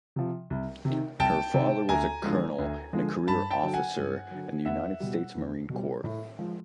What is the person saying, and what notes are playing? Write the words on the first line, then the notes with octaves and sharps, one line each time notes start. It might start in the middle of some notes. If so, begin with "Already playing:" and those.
Her father was a colonel and career officer in the United States Marine Corps.
C3 F3
C2
C3
D#3
C2 G5 A5
C3 D#3
D2 G#5 A#5
D3 F3 G#3
D2
D3 F3 G#3
G2 A5 B5
G5 A5
D3 F#3
F#5 G#5
G2
D3 F#3
E2 E5 F#5
B2 G3
E2
B2 G3
A2
F3 G#3